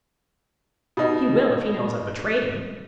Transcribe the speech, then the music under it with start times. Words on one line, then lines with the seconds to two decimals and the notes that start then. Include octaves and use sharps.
"He will, if he knows I've betrayed him."
0.97 B2 D#4